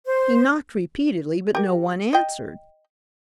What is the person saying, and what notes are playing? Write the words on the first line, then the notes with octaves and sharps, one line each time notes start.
He knocked repeatedly but no one answered.
C5
G4 A#4
D#5 G5